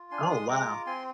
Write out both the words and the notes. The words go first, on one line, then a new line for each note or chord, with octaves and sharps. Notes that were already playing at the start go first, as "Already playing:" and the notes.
Oh, wow.
Already playing: F4
D4 G#5 C6
G#3 C6 D#6
G#3 A#5 D6
F4
C4 G#5 C6